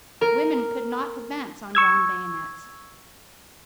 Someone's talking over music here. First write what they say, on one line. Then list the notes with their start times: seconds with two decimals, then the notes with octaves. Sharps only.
Women could not advance on drawn bayonets.
0.21 A#4
1.75 C#6 E6 G#6